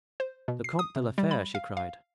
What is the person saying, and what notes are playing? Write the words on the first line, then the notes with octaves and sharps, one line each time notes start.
"The Comte de la Fere!" she cried.
C5
B2
C7
D#6
C3
G3
B5
F5
F5